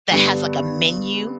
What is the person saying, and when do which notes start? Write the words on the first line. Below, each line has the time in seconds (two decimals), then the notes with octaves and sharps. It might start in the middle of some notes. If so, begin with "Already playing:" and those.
that has, like, a menu
0.11 G2 D3 G3 B3 D4